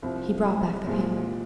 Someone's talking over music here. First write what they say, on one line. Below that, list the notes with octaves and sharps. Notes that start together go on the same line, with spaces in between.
He brought back the paper.
C2 C3 F3
C2 A#2 F3 G#3